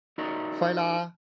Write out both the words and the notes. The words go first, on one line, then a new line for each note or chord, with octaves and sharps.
Fight Lah!
D#4 E4 F#4 A#4 D5 D#5